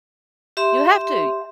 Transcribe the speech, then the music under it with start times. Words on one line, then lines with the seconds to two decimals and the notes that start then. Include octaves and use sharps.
You have to.
0.57 G4 E5 C6